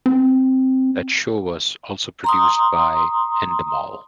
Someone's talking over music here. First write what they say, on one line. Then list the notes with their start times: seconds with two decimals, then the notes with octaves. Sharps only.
That show was also produced by Endemol.
0.06 C4
2.24 A#5 C6 D#6